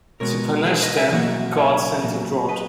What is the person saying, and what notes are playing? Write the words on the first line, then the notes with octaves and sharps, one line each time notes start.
To punish them, God sent a drought.
B2 G#3 B3 A#4 C#5
G#4 B4
B4 D#5
E5 G#5
B2 F#3 A#3 D#5 F#5
F#5
C#5 E5
A#2 F#3 B3
B4 D#5